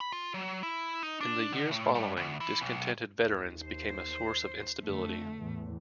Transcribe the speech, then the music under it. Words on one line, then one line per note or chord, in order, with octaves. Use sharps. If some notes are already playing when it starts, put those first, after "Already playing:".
In the years following, discontented veterans became a source of instability.
B5
F4
F#3
E4
D#4
D4
D3
A2
G2
D2
E3
B1
D#2
C5
F2 D3 A3
E2 A2